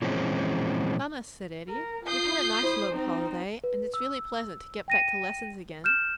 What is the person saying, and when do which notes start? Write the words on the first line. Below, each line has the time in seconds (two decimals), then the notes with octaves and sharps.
"Mamma," said Eddie, "we've had a nice long holiday, and it's really pleasant to get back to lessons again."
0.02 A#2 E3 F3 G#3 C4 C#4
1.69 A#4
2.06 F4 D#6 G6 C7
2.62 E4 C5
2.91 C4 D#4
3.64 B4
3.94 E6
4.88 G5 A#6 D#7
5.84 F6 G6 E7